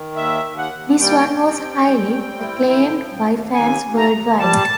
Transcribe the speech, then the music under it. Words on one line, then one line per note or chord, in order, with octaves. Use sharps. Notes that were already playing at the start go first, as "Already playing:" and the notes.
This one was highly acclaimed by fans worldwide.
Already playing: D#3
D#2 E5
D#2
F#5
D#2
G3 G5
G3
C4
G3
C4
E4
D3
F3
D#2
D#2 G#5
D#2
A#5
D#2
G3 A5